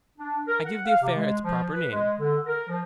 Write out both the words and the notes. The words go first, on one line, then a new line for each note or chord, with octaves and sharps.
I give the affair its proper name.
D4
A#4
F#5
F5
C3
G#3
F3
B4
G#3
D3
A#4
F3